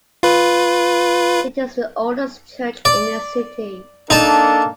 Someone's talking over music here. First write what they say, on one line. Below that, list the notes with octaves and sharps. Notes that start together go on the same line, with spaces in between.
It is the oldest church in the city.
F4 B4
D5
A#3 D4 D#4 A4 A5